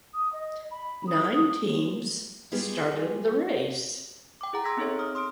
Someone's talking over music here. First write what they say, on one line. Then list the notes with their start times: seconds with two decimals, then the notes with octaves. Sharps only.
Nine teams started the race.
0.13 D#6
0.32 D#5
0.70 B5
1.07 D#6
2.52 G3 B3 F4 G4 G#4 D#5
4.41 G5 D6
4.53 E4 G#4 F#5 A#5
4.64 A#5 C6 E6 G#6 A#6 B6
4.77 B3 C4 D#4 G#4 A4 C#5
4.99 D#6 F6
5.15 C6 D#6 F6 D7